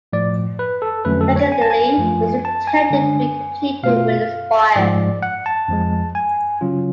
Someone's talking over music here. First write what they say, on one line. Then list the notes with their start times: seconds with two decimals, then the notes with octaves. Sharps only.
Secondly, it was intended to be completed with a spire.
0.13 A2 F3 A3 D5
0.59 B4
0.82 A4
1.05 F2 D3 F#3 A3 C#4 B4
1.21 A4
1.36 C#5
1.52 G#5
1.62 A5
1.71 G#5
1.98 F#2 F3 A3 F4
2.45 A5
2.67 G#5
2.91 D3 G#3 D4
3.83 B2 A3 F4 F5
4.76 G#2 F3 G#3 D5
5.23 F#5
5.46 A5
5.68 F2 F3 G#3
6.15 G#5
6.61 C#3 F#3 C#4 F4